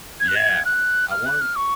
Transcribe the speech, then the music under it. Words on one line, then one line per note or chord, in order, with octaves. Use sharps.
Yeah! I wanna
G#6
F#6
G#6
F#6
F6
F#6
F6
C#6